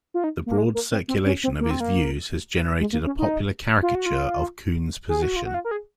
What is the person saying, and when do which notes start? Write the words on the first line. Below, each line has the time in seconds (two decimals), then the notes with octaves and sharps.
The broad circulation of his views has generated a popular caricature of Kuhn's position.
0.14 F4
0.24 D#4
0.46 A#3
0.58 G#3
0.74 A#3
0.91 C4
1.08 C4
1.26 C#4
1.44 C4
1.61 A#3
1.70 C4
1.80 A#3
2.81 G#3
2.93 A#3
3.06 C#4
3.19 D#4
3.82 F4
3.95 F#4
4.06 F4
5.09 G#4
5.22 F#4
5.36 F4
5.46 F#4
5.54 F4
5.65 A#4
5.71 G#4